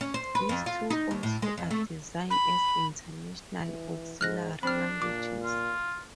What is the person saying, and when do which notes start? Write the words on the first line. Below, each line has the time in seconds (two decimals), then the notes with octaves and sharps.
These two also are designed as international auxiliary languages.
0.01 C#4
0.14 C5
0.35 B4
0.49 F2
0.66 F4
0.90 D#4
1.11 D#2
1.23 A2
1.42 G#3
1.58 F2
1.71 A3
2.30 B5
3.63 E3
4.21 G#2 F6 F#6 A#6
4.63 C4 D4 B5 F6
5.02 A#2 D6
5.43 F4